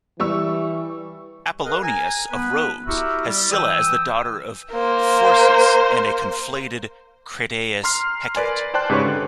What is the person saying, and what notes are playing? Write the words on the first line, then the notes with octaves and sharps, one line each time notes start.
Apollonius of Rhodes has Scylla as the daughter of Phorcys and a conflated Crataeis-Hecate.
E3 G3 C#6 E6
G#4 A#4 B4 D#5 F5 F#5
G#5 A#5
B3 B4
E4 F#4 G4 A#4 E5
G3
E3 G5 D#6 E6
A#3 C5
A#5 C6 F6 C7
A#4 B4 D5 G#5 C6
C5 D5 G5 A5 C6 F#6
G#2 C#3 G4 B4 C#5 C#6
D3